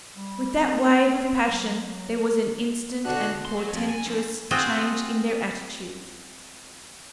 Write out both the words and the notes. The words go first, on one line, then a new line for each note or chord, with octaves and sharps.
With that wave of passion there was an instant and portentous change in their attitudes.
G3
C4
F#3
B2 D3 D4 F#4 F#6
C6
F#3
F2
G#5
D3 F3
G#3 C4 F4 F#4 G#4 G5